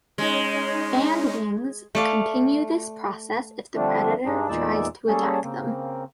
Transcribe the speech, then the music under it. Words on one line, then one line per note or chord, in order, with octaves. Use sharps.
Bandwings continue this process if the predator tries to attack them.
G#3 C#4 D#4
A3 D5 F5
D3 F3 G3 A3 C4 D4
G2 G#3 D4 D#4
E2 A#2 G#3 D#4 D5 E6
G3 A#3 C#4 G#4 A4
C#3 A#3 C4